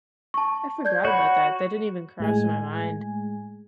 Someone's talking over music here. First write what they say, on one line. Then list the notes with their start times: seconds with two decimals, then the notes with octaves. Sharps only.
I forgot about that, that didn't even cross my mind,
0.34 A5 C#6
0.85 D5 G6 G#6
1.05 F#4 C#5 B5
2.20 A2 G#3 G#5